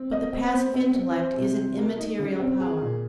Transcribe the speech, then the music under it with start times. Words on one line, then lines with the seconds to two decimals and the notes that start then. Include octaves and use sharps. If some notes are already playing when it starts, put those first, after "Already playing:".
But the passive intellect is an immaterial power.
Already playing: C4
0.12 D#5
0.33 C4
0.54 C5
0.74 C4
0.95 C4
1.15 C5
1.36 C3
1.57 C3
1.77 A#3
1.98 D#4
2.19 C#3
2.40 C4
2.60 G#4
2.82 A#2